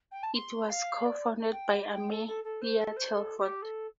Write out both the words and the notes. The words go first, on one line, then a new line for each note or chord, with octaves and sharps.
It was cofounded by Amelia Telford.
G5
A5
C6
F5
D5
G5
G5
A4
A4
A4
C5
A4
C5
A4
G4
A4